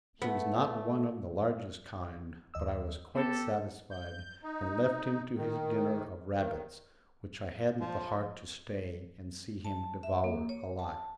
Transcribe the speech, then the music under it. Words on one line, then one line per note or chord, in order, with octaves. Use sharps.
He was not one of the largest kind, but I was quite satisfied, and left him to his dinner of rabbits, which I hadn't the heart to stay and see him devour alive.
A3 B3
D#2 D#5 E6
B3 G4 A4 B5
G6
D#4
D#3
D#3
F3
A5
E5
A#3
C#5
A5